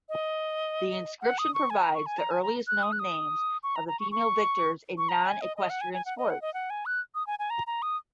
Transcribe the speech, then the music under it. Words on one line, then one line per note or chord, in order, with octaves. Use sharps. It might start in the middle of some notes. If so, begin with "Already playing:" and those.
The inscription provides the earliest known names of females victors in non equestrian sports.
D#5
F#5
D#6
C#6
G#5
A#5
C#6
G#5
A#5
G#5
A#5
F#6
D#6
F#6
D#6
C#6
A#5
A#5
C#6
C#6
C#6
A#5
G#5
D#5
D#5
F#5
G#5
G#5
F#5
D#5
F#5
D#5
F#5
G#5
F#6
D#6
G#5
G#5
A#5
A#5
D#6